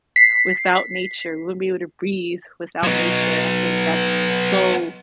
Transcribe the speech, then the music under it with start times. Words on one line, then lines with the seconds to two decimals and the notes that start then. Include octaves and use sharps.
without nature, we wouldn't be able to breathe without nature and I think that's so
0.16 B6 C7
2.83 F#3 B3